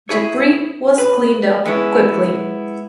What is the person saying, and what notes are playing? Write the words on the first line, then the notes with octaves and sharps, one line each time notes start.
Debris was cleaned up quickly.
E4 G#4 C#5
B4
G#3 B3 C#4 E4